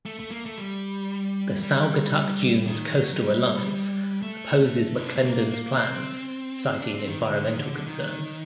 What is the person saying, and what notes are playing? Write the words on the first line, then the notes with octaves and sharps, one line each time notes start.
The Saugatuck Dunes Coastal Alliance opposes McClendon's plans, citing environmental concerns.
A3
A3
A#3
A3
G3
G3
D#3
F#3
F#3
G3
A3
D#4
D4
C4
A#3
C4
D4
C4
D#3
D3
D3
D#3
D3
D3
D#3